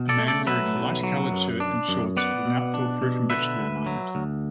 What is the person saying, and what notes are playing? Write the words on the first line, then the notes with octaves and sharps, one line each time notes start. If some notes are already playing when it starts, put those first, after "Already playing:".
A man wearing a light colored shirt and shorts at an outdoor fruit and vegetable market.
Already playing: B2
A4 D5
A3
A4 D5
F#3 B4 E5
B1
F#3
F#2
D4
F#2
B3 D5 F#5
B2
D4
B2
D3 B4 E5
D2
F#3
D2